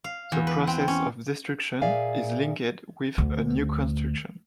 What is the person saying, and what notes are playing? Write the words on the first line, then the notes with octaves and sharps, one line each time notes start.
The process of destruction is linked with a new construction.
F5
E2
B4
C4
C#4
A#2 G#4 D5 E5 F5 G#5
D2